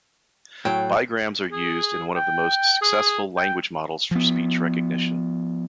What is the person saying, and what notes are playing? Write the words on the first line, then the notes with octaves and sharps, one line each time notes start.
Bigrams are used in one of the most successful language models for speech recognition.
A2 F#3 G5
G#4
G5
G#4
G5
F3 B3